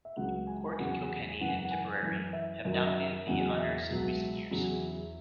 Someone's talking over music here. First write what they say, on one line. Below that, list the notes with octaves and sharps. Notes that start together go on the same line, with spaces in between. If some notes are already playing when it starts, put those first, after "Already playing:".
Cork, Kilkenny and Tipperary have dominated the honours in recent years.
E5
C#2 C#3 F#3 F#5
G#5
G#5
E2 C#3 F#3 F#5
F#5
G#5
F#2 C#3 E3 F#5
G#5
F#5
F#5
G#5
F#2 E3
E5
F#2 D#3 F#3 E5
D#5
E5
E5
E2 C#3 F#3 F#5
D#5
E5
C#2 B2 F#3
E2 C#3 F#3